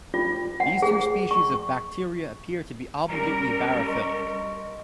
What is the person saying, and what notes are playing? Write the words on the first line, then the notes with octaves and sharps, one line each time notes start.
These two species of bacteria appear to be obligately barophilic.
F4
F#5
G#4
C#6
G3 C#4 A#4 A#5
D#5 C6 C#6